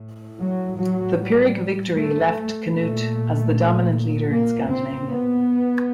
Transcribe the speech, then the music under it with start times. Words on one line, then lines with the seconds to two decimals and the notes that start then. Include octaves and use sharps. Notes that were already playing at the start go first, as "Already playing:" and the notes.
The Pyrrhic victory left Cnut as the dominant leader in Scandinavia.
Already playing: A2
0.40 F#3
0.78 F#3
1.18 G3
1.95 A3
2.73 A#2 A3
4.30 A#3
4.68 C4
5.08 B3